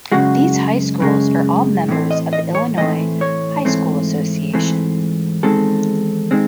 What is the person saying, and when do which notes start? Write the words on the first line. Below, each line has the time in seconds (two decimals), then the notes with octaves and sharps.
These high schools are all members of the Illinois High School Association.
0.12 F#2 C#3 G#3 F#4
1.00 F#2 C#3 G#3
1.89 A2 E3 A3 C4
2.11 D#5
2.33 D#5
2.55 C#5
2.77 A2 E3 A3 C4 D#5
3.21 C#5
3.65 G#2 E3 A3 C4
4.53 G#2 E3 A3 C4
5.43 E2 D#3 G#3 C4 A4
6.31 D#3 G#3 C4